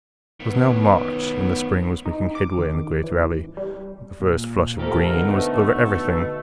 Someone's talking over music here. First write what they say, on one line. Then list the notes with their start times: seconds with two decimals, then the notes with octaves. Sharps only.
It was now March, and the spring was making headway in the great valley. The first flush of green was over everything.
0.40 D#3 B3
2.06 D#4
2.35 D6
2.58 D#3
3.04 E3
3.19 G#1
3.57 G3
4.20 A#2
4.78 F2 A3 G4 A4 A#4
5.10 D3 B3 D#4
5.29 B2 A3